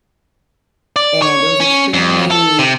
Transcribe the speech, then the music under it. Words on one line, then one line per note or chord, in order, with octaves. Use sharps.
and it was extremely
D5
C#5
C#4
F2
A4
C3